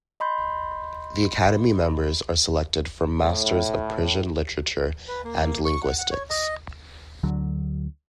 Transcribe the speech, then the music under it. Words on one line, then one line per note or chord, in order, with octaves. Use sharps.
The academy members are selected from masters of Persian literature and linguistics.
D#5 B5 C6 G6
A2
B4
A#3
C#6
F#5
F#5
C#5
D#5
D2 D3 F#3